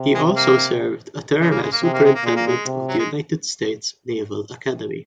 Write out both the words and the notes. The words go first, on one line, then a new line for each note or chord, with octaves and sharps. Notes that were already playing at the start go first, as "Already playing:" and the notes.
He also served a term as Superintendent of the United States Naval Academy.
Already playing: C3
G#3
A#3
C#3 G#3
A#3
G#3
A#3
C3 G#3
A#3
G#3
A#3
A#2 G#3
A#3
G#3
C3
F#3
G#3